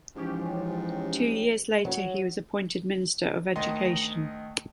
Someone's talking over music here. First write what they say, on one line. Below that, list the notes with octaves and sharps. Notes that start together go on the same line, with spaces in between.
Two years later he was appointed Minister of Education.
G#2 E3 F3 C#4 G4
F#3
D2 D#3 D#5 C6